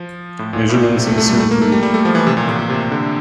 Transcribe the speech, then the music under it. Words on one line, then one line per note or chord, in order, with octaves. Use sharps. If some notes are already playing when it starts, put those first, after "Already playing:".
Measurements in cm.
Already playing: F3
A2
A#2
A2
A#2
C3
A3
A3
G3
A3
A#3
A3
G3
G3
A3
F3
E3
C3
A#2
A2
A#2
C3
D3